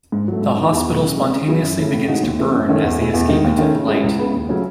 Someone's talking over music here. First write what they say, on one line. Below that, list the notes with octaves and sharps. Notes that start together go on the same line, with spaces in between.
The hospital spontaneously begins to burn as they escape into the light.
G#2
F#3 A3
G#2
E3 B3 D#4
E2
B2 F#3 A3
C#3
G#3 B3
C#3
F#3 B3 E4 G#4
F#2
C#3 E3 A3 C#4
A2
G#3 D#4 F#4
D#2
C#3 E3 A3
F#2
D#3 A3 C#4
E2
B2 A3 E4 G#4
E2
D#3 G#3 D#4
D#2
D#3 A3 C#4
C#3
G#3 C#4 E4
C#2
C#3 G#3 B3
D#2
C#3 F#3 A3 C#4